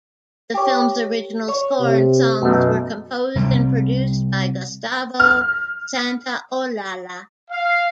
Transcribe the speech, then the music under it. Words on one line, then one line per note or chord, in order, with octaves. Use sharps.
The film's original score and songs were composed and produced by Gustavo Santaolalla.
G4 C#5
C#5
C3
F#2 B2 A3
C3 G3 A#3 C4
F6
F5